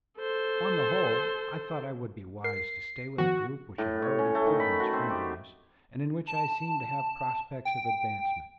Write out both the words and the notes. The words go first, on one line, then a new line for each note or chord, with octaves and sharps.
On the whole, I thought I would be wise to stay with a group which had already proved its friendliness, and in which I seemed to have prospects of advancement.
A4 C5
A#4 C7
D#3 F3 B3 F#4
A2
C#5
C#4
A3
D#3
B5
F#4
C4
G4
A5
G5